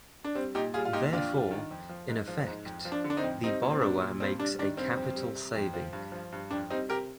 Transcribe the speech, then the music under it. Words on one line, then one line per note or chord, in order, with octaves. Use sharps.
Therefore, in effect, the borrower makes a capital saving.
D4
G3 C4
A#2 D#4 G4
G3 F4 G#4
F4
A#2 D#4 G4
F2 D4 F4
G3
D#3
F2
F3
G#2
F3
G#2
F2
F3
D4
D3
D4
C4 D#4
F2
G3 C4 D#4
A#2
C4
G3 D4
A#2
G2 C4
G3 D4
D#3 D4
G2 C4
F2
G3
C3
F2
F3
G2
F3
G2
F2 D4
G3 C4 D#4
C3 G4 A#4